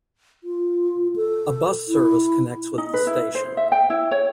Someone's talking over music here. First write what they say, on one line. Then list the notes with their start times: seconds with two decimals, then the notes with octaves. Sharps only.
A bus service connects with the station.
0.44 F4
1.16 A4
1.88 E4
2.78 D#4
2.94 B4
3.07 E4
3.35 C5
3.57 E5
3.72 G5
3.90 E4
4.11 C#5